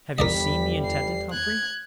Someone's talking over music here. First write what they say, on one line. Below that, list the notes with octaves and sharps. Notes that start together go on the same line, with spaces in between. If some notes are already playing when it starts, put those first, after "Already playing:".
"Have you seen the intendant, Humphrey?"
G1 E2 E3 G3 A#4 D5 D#5 B6
C7
F#6 G#6